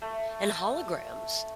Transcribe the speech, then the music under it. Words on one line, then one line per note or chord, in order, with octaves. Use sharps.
And holograms.
A3